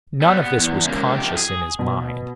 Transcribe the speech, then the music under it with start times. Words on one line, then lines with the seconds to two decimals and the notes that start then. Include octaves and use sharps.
None of this was conscious in his mind.
0.21 G3 B3
0.43 B3
0.58 E2
0.85 C#2 A#3
1.12 F2 G4
1.37 G#4
1.79 B2